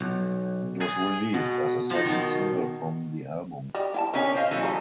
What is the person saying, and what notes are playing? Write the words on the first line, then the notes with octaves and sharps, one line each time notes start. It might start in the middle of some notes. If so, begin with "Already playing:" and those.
It was released as the second single from the album.
B1
G#4
B2
F3 D#4
B2 D#3
G3 D#5
E4 G5 A5
D3 D#3 C#4 D#4 G#5
C5 D#5 F5
E3 F#3 A4
C#3 D#4